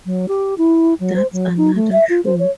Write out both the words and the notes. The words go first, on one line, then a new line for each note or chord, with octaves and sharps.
That's another show.
F#3
G4
E4
F#3
C5
F#3
D#4
A3
E5
F4
C5
C#5